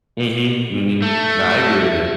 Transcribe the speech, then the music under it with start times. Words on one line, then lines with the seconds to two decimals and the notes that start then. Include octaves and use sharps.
Mhm, mhm. No, I agree with you.
1.02 A3